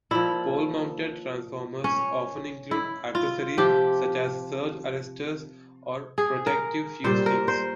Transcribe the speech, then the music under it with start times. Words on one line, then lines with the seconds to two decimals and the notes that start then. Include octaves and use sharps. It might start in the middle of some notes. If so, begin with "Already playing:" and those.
Pole-mounted transformers often include accessories such as surge arresters or protective fuse links.
0.11 A#2 F3 E4
1.84 C#4
2.71 E4
3.15 F4
3.57 C3 F3 G4
6.18 G#4
6.47 A#4
7.04 A#2 G3 C5
7.26 A#4
7.48 C5